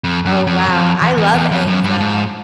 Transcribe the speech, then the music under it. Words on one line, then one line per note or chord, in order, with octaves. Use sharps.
Oh, wow, I love eggs, though.
F2
F#2
F2
F#2
F2
E2
E2
E2
F2
F#2
G2
G#2